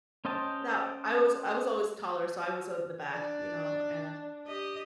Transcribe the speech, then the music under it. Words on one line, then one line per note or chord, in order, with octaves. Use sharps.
Now, I was I was always taller, so I was on the back, you know, and
C#4 C5 D#5 G5 A5
D4 D5
G4 D#5